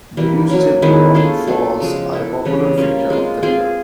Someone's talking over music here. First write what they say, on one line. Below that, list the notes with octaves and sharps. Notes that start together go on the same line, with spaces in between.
The Uisge Ban Falls are a popular feature of the river.
E3 G3 A#3
F#3 A#3 C#4
D#3 G#3 B3 E4
A3 D4 F4 G#4
F#3 A3 D4 F4
C#3 F3 G#3
B3 E4 A4
C#3 E3 G3 B3
G3 A#3 C#4 F4
G#3 C4 F4
C4 F4 G#4